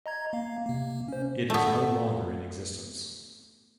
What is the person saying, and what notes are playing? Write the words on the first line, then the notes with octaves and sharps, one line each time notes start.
It is no longer in existence.
D#5 A#5 G#6
A#3 F5
C3 A#3
C#4 C5
A3 B3